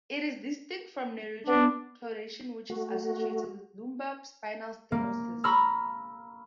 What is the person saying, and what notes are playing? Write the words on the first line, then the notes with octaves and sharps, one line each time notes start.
It is distinct from neurogenic claudication, which is associated with lumbar spinal stenosis.
B3 D4
A3 F#4
A#3
A#5 B5 C#6 E6 F6